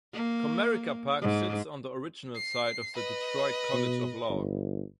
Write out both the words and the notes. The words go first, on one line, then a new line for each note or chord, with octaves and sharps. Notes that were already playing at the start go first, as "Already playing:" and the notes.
Comerica Park sits on the original site of the Detroit College of Law.
A#3
G#2
C7
B4 D#5
B2
G1